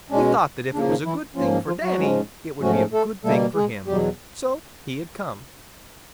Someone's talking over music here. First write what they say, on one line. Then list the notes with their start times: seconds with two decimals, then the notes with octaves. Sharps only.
He thought that if it was a good thing for Danny it would be a good thing for him, so he had come.
0.10 B2 G#3 C#4 D4
0.74 C#3 F3 A#3 D4
0.89 D#3 D#4
1.04 E3 E4
1.35 G#2 F3 A#3 C#4 F4
1.67 F3 F4
1.83 F#3 F#4
1.98 G#2 F3 G#3 C#4
2.61 G#2 F3 F#3 A3 C#4 F#4
2.93 A3 A4
3.24 B2 G3 A3 A#3 A4
3.55 G#3 G#4
3.87 E2 B2 F#3 G3 G4